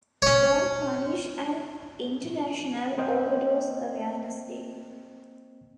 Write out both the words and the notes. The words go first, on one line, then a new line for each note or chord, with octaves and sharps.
Don't Punish and International Overdose Awareness Day.
C#4 C#5
A#3 C4 C5 D#5 G5